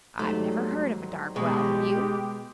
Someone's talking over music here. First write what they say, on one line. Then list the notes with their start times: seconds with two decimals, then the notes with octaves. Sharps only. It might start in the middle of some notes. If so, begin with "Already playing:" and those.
"I've never heard of a dark well; have you?"
0.19 G#2 F#3 G3 A3
1.36 B2 G#3 G4